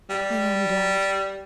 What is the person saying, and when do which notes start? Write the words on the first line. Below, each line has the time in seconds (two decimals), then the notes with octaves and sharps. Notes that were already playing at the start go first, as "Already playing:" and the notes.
'I am glad.
0.09 G3